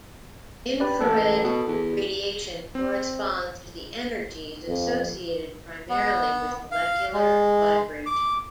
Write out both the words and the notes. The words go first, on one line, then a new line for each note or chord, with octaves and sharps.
Infrared radiation corresponds to the energies associated primarily with molecular vibration.
G4 B4 D5
A1 A4
B2
E2
C4
F2
B3
F5
G#3
D6